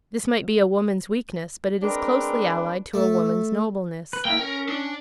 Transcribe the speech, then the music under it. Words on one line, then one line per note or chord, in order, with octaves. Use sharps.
This might be a woman's weakness, but it is closely allied to a woman's nobleness.
G#3 C4 D4 A#4 B4
A3
B4
A#3 E4 G5
C#4 A#4
D4